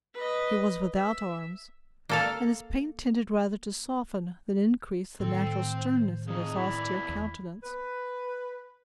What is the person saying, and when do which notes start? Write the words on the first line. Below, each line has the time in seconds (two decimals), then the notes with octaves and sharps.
He was without arms, and his paint tended rather to soften than increase the natural sternness of his austere countenance.
0.14 B4 D#5
0.95 E5
2.09 A#3 A4 F5
5.20 A2 D#3 C4 A4
5.75 C5
6.27 F2 D#4 G#4
6.56 E3 E4 D5
7.09 E2
7.63 B4